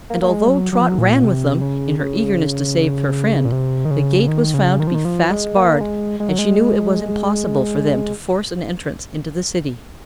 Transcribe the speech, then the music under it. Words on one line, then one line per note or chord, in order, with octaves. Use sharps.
And, although Trot ran with them, in her eagerness to save her friend, the gate was found to be fast barred and she knew it was impossible for them to force an entrance into the City.
A#3
A#3
G#3
F#3
F#3
F3
F#3
A#2
C3
C#3
C#3
A#2
C3
D#3
C#3
D#3
C#3
D#3
F3
D#3
F3
G#3
A#3
G#3
G#3
F#3
G#3